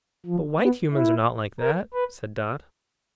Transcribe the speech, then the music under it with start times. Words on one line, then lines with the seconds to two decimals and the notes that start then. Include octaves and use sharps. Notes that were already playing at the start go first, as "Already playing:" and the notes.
"But white Humans are not like that," said Dot.
0.26 F3
0.60 B3
0.94 E4
1.60 A#4
1.94 B4